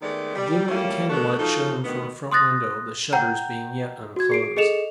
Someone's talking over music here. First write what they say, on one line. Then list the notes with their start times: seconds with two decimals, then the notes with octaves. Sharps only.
A glimmering candlelight shone from a front window, the shutters being yet unclosed.
0.02 D#3 G#3 A3 B3 D5
0.36 G3
0.68 G3 A3 A#3 C#4 E4 F4
1.10 A3 B3 D4 F#4 A4 A#4
1.38 F3 D#4 F4 F#4 A4
1.84 D2 B2 D#3 B3
2.32 C6 D#6 F#6 A6 A#6
3.13 F#5 G5 A#5 G6
4.16 F#4 G#6
4.30 G#4 C7 D7
4.57 G#4 A4 D#5 C#7 E7 F7